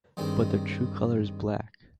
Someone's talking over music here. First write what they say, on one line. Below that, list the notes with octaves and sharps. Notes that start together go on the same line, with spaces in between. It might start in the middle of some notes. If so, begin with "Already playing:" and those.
But their true color is black.
G2 D#3 G#3 C4